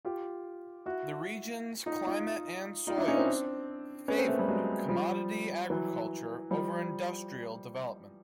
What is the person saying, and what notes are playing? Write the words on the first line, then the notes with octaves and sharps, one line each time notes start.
The region's climate and soils favored commodity agriculture over industrial development.
F4 G4
E4 F#4
D#4 F4
D#4 F4
D#4 F4
D4 E4
C#4 D#4
C4 D4
B3 C#4
A#3 C4
A3 B3
G3 A3
F#3 G#3
F3 G3
E3 F#3
F3 G3